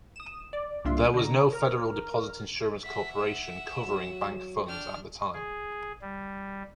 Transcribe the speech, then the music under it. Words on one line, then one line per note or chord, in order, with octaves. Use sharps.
There was no Federal Deposit Insurance Corporation covering bank funds at the time.
D#6 E7
D5
C2 A#3 D4 F4 E5 C6
D3 A#5
A#4 F6
E5 F#5 B6
E7
F#3
D4 G5 F6
G#4
G3